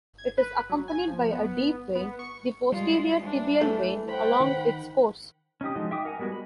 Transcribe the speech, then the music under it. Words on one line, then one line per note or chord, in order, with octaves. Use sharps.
It is accompanied by a deep vein, the posterior tibial vein, along its course.
G#6
B4
F#3
G#5
F3
B3
B3
C#6
G3 G#3 F4
E3 D4
A3
C5 F#5 G5 B5
D#3
C#4 D#4 G4 D#6
F3 G#3 D#4 F#4
E5 G5 D6 D#6
A#4 F#5 G#5
G3 G#3 B3 F#4 A#4
B5